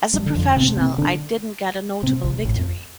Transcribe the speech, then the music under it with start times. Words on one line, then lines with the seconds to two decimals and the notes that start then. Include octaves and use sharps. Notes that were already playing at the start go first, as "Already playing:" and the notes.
As a professional, I didn’t get a notable victory.
0.14 G2 G3
0.26 D3
0.35 F2 F3
0.57 C3 C4
0.68 A3
0.77 C3 C4
0.98 D3 D4
2.03 C3 C4
2.24 C2 C3
2.45 A1 A2
2.56 F2